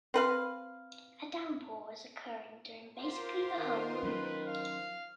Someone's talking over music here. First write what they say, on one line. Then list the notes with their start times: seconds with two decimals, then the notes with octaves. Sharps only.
A downpour is occurring during basically the whole movie.
0.14 C4 B4 F5
2.98 F4 G4 A#4 C5
3.59 D#3
4.03 F#3 C#4 B4
4.47 F5